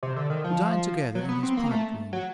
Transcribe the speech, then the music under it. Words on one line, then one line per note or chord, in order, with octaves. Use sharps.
We dined together in his private room.
C3
D3
D#3
F3
F#3
B3
C4
A#3
A3
F#3